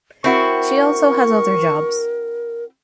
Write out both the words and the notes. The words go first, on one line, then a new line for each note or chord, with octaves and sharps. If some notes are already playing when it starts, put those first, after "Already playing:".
She also has other jobs.
C4 E4 F#4 A#4 C#6